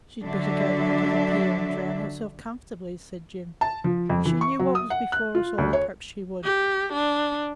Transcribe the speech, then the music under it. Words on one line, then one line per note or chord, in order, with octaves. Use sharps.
'She'd better go down to the pier and drown herself comfortably,' said Jim. 'If she knew what was before us all, perhaps she would.
D3 F#3 D4 E5
A5
F3
F2
E3
C#6
F#3
D#6
F#5
F#6
F4
D2
C#5
G4
D4